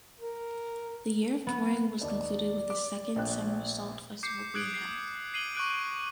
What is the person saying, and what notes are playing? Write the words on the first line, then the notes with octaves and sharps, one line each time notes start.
The year of touring was concluded with the second Summersault festival being held.
A#4
B3
D#2 D5 D#5 A5
D6
A#1 G5 F#6
D6 G6 C7 C#7
D6 D#6 F#6 G#6 D7 F#7
C7
C7 D#7 F#7 G7
C#6 D6 F#6 D7